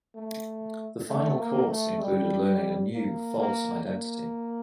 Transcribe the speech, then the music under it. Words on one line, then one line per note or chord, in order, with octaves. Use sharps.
The final course included learning a new, false identity.
A3
A3
A#3
A3
G3
A#3
A#3
A#3